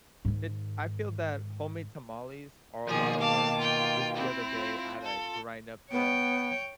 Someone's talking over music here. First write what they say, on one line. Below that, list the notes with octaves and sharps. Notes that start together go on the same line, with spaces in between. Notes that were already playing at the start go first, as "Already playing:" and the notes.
it I feel that homemade tamales are a lotta work. Just the other day, I had to grind up the
G#2 D#3
B2 D#3 F3 A#3 G#4
F5 A5 D6
F4 G5
C4 E4
F4
A4
B3 C#5 G5